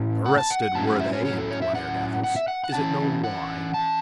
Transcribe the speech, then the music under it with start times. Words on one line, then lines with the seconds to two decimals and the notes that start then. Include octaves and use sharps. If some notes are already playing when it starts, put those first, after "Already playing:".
"Arrested, were they?" inquired Athos; "is it known why?"
Already playing: A2 A3 C#4
0.26 F#5
0.38 A5
0.50 F#5
0.62 F#5
0.75 A2 F#3 A3 C#4 A5
0.87 F#5
1.00 E5
1.13 C#5
1.25 C#5
1.38 A4
1.51 C#5
1.62 E5
1.75 F#5
2.24 F#5
2.36 E5
2.48 F#5
2.64 F#5
2.74 E3 C#4 A5
3.24 F#5
3.74 A5